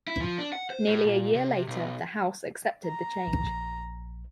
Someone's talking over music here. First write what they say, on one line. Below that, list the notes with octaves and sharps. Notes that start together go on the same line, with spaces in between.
Nearly a year later, the House accepted the change.
E4
F3
D4
F#5
C5
A2
A#2
C3
B1
A#5
A#1